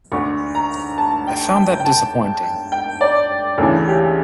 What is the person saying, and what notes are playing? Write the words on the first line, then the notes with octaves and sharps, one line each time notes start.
I found that disappointing.
D2 D3 C#6
A#5
A5
G5
G5
G5
A5
G5
D5
D2 C#3 E3 A4
G4